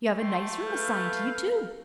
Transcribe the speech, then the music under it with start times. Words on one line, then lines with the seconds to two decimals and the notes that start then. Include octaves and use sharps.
You have a nice room assigned to you, too.
0.20 A3 G5 A5 C6
0.67 A4 B4 F5 G6